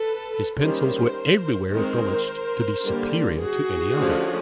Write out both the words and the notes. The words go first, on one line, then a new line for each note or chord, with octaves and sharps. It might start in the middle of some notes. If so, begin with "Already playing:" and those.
His pencils were everywhere acknowledged to be superior to any other.
Already playing: A4 B4
D#3 G3 A#3 C#4 A#4 C5
D#3 G#3 C4 A#4 C5
D3 G3 A#3
F#4 G#4
D3 F3 A3 C#4